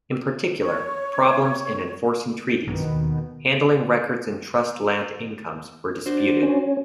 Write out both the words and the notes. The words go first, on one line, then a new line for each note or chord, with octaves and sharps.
In particular, problems in enforcing treaties, handling records and trust land incomes were disputed.
C#5 C#6
B1 G2 B2 D#3 B3
D#2
D4 F#4 C5
C#4